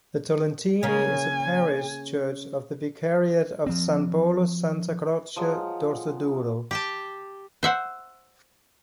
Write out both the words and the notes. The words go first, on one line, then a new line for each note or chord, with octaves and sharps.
The Tolentini is a parish church of the Vicariate of San Polo-Santa Croce-Dorsoduro.
C#3 A#3 G#5
F3 C4
F3 F#3 G#3
G4 G5 A5
C5 E5 F#5